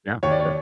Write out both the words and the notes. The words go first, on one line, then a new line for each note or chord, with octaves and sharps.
Yeah. Yeah.
D#2 C#5
D5
C#5